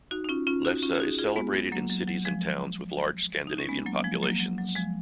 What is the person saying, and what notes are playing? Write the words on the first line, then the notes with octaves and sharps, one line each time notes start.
Lefse is celebrated in cities and towns with large Scandinavian populations.
D#4 F#4
D#4
C#4 F4
C#4 F4
D#4 F#4
C#4 F4
G#4
D#4 F#4
F4 G#4
G#3 B3
F#3 A#3
F#3
F#3
F3 G#3
D#4
C#4
G#3 B3
F#3 A#3
F3 G#3
F#3 A#3
F#3
F#3
F3 G#3